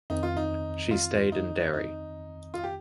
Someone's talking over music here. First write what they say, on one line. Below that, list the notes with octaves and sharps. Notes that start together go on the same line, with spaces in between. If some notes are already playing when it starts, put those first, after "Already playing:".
She stayed in Derry.
F2 D#3 C4 D#4
F4
D#4
F4
D#4
D#4
F4
G4